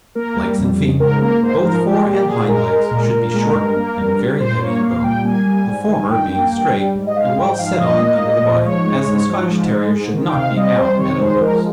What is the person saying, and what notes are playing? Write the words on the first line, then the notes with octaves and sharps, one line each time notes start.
LEGS AND FEET--Both fore and hind legs should be short and very heavy in bone, the former being straight and well set on under the body, as the Scottish Terrier should not be out at elbows.
A#3 A#4
G3
F2
C#3
G#2 A#4
A#3 A#4
G#2 C5
C5
F3 A#4
G#3 G4
A#2 G4
A#2 G#4
G#3 A#4
G#3
A#2
A#2
G#3
G2
A#3
G2
G3
A#2 C5
A#3 C#5
A#2 F5
G3 G5
A#3 G#5
G3
G#2
D#3
G2 G5
A#3
G2
G3
G#2
D#5
G#3 F5
G#2 G5
F3 F5
A#2 D#5
A#3
A#2
F3
G#2 C#5
G#3
G#2
F3
G#2
G#3
G#2
D#3
G5
C3 F5
G3 D#5
C3 C5
D#3 C#5
G#3 C5
F3 A#4